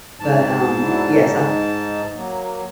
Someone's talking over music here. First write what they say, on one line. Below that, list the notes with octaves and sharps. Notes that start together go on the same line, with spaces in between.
but, um, yes, I s
G#2 A5
F#3 D4 E4
D#4
F#3 A#3